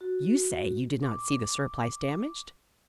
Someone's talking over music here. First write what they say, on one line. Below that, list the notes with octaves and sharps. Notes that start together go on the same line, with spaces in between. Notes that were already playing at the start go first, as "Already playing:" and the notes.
"You say you did not see the surplice damaged?"
F#4
D6